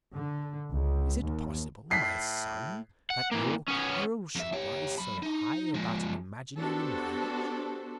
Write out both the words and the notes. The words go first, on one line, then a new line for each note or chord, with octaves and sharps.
Is it possible, my son, that your quarrel should rise so high about an imaginary marriage?
D3
C#2
D#2
A2 B6 C7
F#5
E3 A#3
B3 C#4
F2 E5
G4 C#5
F#3 B5
D#4
F3 G#3
B3 D4 F#4 G4 A4 C5